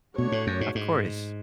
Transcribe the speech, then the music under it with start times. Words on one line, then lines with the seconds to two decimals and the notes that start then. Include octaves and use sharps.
Um Of course.
0.18 B2 A3 D4 F#4 C#5
0.32 A2
0.47 F#2
0.61 G#2
0.75 G#2